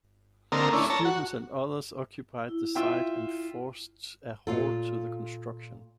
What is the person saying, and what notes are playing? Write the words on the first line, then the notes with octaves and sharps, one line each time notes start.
Students and others occupied the site and forced a halt to the construction.
D3 A#3 C4 D#4 A4 A#4
A3 C#4 D4 E4
A4 C#5 A5 A#5
F#4
E4
F4 E5 G5
A#2 F4 A4